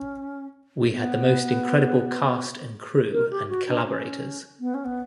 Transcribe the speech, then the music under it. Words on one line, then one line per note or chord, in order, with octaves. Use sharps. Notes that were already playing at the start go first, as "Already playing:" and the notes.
We had the most incredible cast and crew and collaborators.
Already playing: C#4
B3
A#4
G4
F#4
D4
C#4
B3
C#4
B3